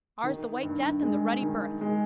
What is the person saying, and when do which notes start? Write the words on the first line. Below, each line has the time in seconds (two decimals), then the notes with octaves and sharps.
Ours the white death and the ruddy birth.
0.23 D#3
0.63 G2
1.02 G#3
1.42 D#3
1.81 G#3